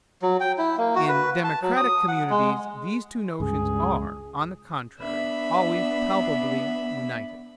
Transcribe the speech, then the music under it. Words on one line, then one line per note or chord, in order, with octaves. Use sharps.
In democratic communities these two notions are, on the contrary, always palpably united.
F#3
G5
E4
A#3
F#4
B4
A5
F#3
D#6
F#5
G#3
C#2 G2 G#4
B3 D4 E5 B5